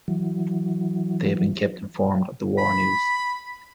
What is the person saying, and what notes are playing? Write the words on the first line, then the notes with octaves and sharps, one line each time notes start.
They had been kept informed of the war news.
E3 F#3
B5